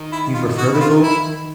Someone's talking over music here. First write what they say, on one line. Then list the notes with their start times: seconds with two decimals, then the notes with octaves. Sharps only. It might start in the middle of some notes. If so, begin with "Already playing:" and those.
Do you prefer the cold?
Already playing: D#3
0.12 E4
0.34 F4
0.57 F#4
0.74 E4
0.80 F4
1.03 E4